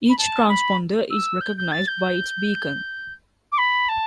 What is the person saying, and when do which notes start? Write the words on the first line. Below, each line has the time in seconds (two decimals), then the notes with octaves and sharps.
Each transponder is recognized by its beacon.
0.09 B5
0.18 A5
0.49 B5
1.10 E6
1.41 G6
1.57 G6
1.72 A6
1.88 G6
3.52 D6
3.58 B5
3.89 A5